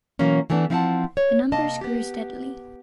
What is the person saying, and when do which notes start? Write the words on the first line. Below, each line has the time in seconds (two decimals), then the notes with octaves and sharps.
The numbers grew steadily.
0.19 B2 E3 F#3 A#3 C#4
0.50 E3 A3 B3 C#4 D4
0.70 F3 C4 E4 F5 F#5 A5
1.17 C#5
1.52 C3 A#3 D#5 A5
1.81 B3 G4